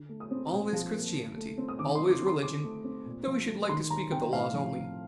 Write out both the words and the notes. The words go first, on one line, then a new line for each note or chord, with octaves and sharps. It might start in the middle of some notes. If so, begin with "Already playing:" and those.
Always Christianity, always religion, though we should like to speak of the laws only.
Already playing: D3
A3
D#6
C4
A#2
F3
A#3
D3
A3
C4
D#6
D#3 D6
C6
G3
D6
C4
C6
D3 D6
A3
C4
A#2
F3
A3
D#3 C6
G3 A#5
C4 G5
A2 F5
F3
C4